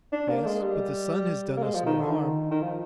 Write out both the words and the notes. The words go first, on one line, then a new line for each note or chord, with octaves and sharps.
"Yes, but the son has done us no harm."
D4
A#3
G#3
G3
A#3
G#3
F3
D#3
D3
D#3
D#3
F3